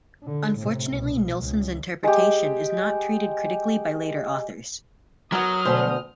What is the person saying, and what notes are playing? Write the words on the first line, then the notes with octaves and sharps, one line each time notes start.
Unfortunately Nilsson's interpretation is not treated critically by later authors.
D3
A2 C3
C2 B2
C#2
G#3 G4
F#3 B3 A#4 D#6 F6
D2 B2 C5